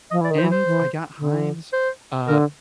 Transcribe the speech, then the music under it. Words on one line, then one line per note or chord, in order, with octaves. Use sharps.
And I got hives, uh,
F3 D#5
E3 D5
D#3
C5
E3
C5
E3
D3
C5
D3 A#4